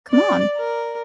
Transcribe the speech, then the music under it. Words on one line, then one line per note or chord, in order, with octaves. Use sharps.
Come on,
D5
A#4